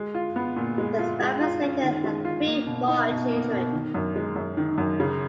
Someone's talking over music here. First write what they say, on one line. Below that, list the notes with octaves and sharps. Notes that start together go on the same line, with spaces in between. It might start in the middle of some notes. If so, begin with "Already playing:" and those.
The Spaffords later had three more children.
Already playing: G#3
F4
B3
A#2
G#3
F4
G#3
F4
C#4
D#3
G#3
F4
A#3
B2
D#4
B2
A#3
B2
D#3
F#2
G#3
F#2
D#3
F#2
C#3